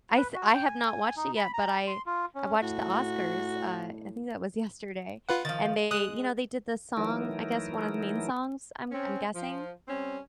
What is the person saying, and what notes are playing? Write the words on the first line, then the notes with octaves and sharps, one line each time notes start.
I s I have not watched it yet, but I I watched the Oscars, uh, I think that was yesterday, and they you know, they did the song, I guess one of the main songs, I'm I'm guessing.
B4
F#4
G5
G#5
G#5
D#4
B5
A#5
C6
F4
C#4
A2 F#4
F4 B4 F#5
D#3 F3 A6
G#3 D#6 F#6
E3 F#3 A3 D#4 E4 A#4
C4 C#4
F3
G3 C4 C#4